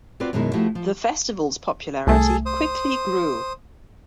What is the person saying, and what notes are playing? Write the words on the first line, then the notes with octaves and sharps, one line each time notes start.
The festival's popularity quickly grew.
C4 F4 F#4 B4 D5
F#2 B2 D#3 G#3 E4
F3 A3 E4 F#4 G4
F3
C2 A3 G#4 A4
C5 D#6